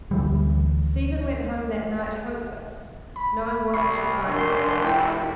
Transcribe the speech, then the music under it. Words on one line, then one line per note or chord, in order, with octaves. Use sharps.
Stephen went home that night hopeless, knowing what he should find there.
D2 E3 G3
B5
C2 B5 C#6 C7
F1 D4 A#4 C6 C#6
E4 G5